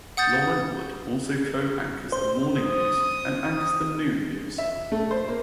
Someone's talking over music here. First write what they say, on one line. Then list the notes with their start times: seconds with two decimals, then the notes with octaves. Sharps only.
Lauren Wood also co-anchors the morning news and anchors the Noon news.
0.17 F#5 D#6 G6 A6
2.12 C5
2.56 D#6
4.58 E5
4.92 A3
5.11 C5
5.28 A#3